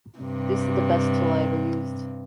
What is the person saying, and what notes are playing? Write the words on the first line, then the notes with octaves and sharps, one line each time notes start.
This is the best tool I've ever used.
G2 C3